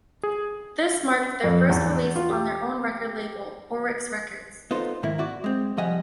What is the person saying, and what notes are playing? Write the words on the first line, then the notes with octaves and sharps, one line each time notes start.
This marked their first release on their own record label, Orrexx Records.
G#4
F2
E2
F4
G4
B3 D#4 F4 A4 C5
G#2 D#3 A#3 E4
E4 F#4 D5
G#3 C4
C2 F3 G3 D#5 F#5 G#5